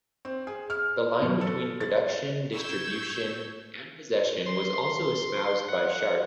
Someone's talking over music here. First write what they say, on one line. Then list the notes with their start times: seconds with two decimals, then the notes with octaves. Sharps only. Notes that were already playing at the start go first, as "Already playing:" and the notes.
The line between production, distribution, and possession was also espoused by Sharpe.
0.25 C4
0.47 G#4
0.70 F6
1.22 B2
1.41 A4
1.80 A6
2.55 C#6 E6 G6 G#6
4.46 C6
5.69 F#5